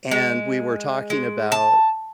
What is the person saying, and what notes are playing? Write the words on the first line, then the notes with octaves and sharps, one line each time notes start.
and we were talking about
G#3
G#3
A5